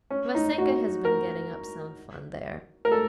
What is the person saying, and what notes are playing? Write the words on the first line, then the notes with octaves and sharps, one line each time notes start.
Vassenka has been getting up some fun there.
C#4
D#4
F#4
A#4
A#4
A4